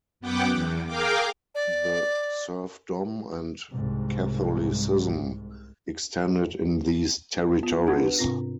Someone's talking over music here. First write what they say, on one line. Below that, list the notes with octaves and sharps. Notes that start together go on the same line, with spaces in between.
The serfdom and Catholicism extended in these territories.
F#2 B3 F#5 G5 D6
E2
G#4 A#4 F5 G5 D6
D5
C2 G#2
B3 F4
D4 F4 F#5 A5 D#6 G#6
B4
G#2 C3 C4 F4 A#6